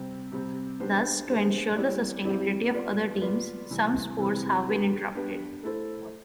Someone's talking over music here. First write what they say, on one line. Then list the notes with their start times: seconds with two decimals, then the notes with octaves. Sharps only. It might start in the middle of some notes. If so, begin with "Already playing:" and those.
Thus, to ensure the sustainability of other teams, some sports have been interrupted.
Already playing: C3 G3 C4 G4
0.32 C3 G3 C4 G4
0.80 B3 D4 G4 C5
1.28 B3 D4 G4 C5
1.76 G3 C4 E4 G4 D5
2.25 G3 C4 E4 G4 D5
2.73 B3 F4 B4 D5
3.21 B3 F4 B4 D5
3.70 C3 E3 G3 C4
4.18 C3 E3 G3 C4
4.66 B3 D4 G4 B4
5.14 B3 D4 G4 B4
5.63 A3 E4 A4 C5